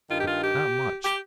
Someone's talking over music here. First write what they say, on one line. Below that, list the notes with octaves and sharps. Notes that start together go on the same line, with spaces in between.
But not much.
G2 D#3 F4
G4
F4
G4
G4